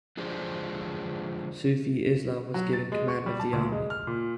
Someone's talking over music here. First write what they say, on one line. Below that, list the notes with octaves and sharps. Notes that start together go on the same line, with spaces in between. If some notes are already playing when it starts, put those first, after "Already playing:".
Sufi Eslam was given command of the army.
D3 F3 G#3 D4 G4 C5
F#3
A6
G#3
C#6
G3
A5
D2
G#3
F6
A#2